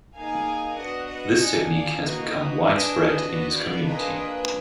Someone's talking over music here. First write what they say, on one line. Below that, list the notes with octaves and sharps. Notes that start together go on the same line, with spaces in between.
This technique has become widespread in his community.
A#3 D#4 G#4 F5 G#5
B3 D4 F#4 D#5 F#5
D#5 F#5
D4 G#4
D5 F5
A#3 D#4 F#4 B4 D#5
D4 G#4 B4 D#5
B3 D4 F#4
D5 F5
A#3 D4 F4 G#4 B4 D#5
B4